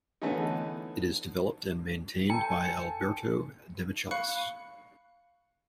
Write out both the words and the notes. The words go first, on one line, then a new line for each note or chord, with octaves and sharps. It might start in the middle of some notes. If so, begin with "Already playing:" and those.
It is developed and maintained by Alberto Demichelis.
D3 E3 A3 B3 C#4 D#4
A4 C5 G5 G#5 C#7
F5 B5 C#6 F#6 C#7